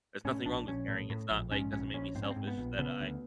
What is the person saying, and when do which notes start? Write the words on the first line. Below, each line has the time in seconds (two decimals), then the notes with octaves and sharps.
There's nothing wrong with caring, it's not, like it doesn't make me selfish that I
0.25 A2 C#4
0.46 A#1 D4
0.68 A#1 C#4
0.88 A2
1.10 A2
1.31 A#1
1.52 G#2 C#4
1.73 A#1 C#4
1.94 A#1 C#4
2.15 G#2 C4
2.23 C#4
2.31 C4
2.36 G#2
2.47 B3
2.58 A#1
2.79 C#3 B3
3.00 D2